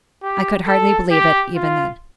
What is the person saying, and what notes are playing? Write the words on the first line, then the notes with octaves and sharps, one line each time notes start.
I could hardly believe it, even then!
G4
A4
G4
F4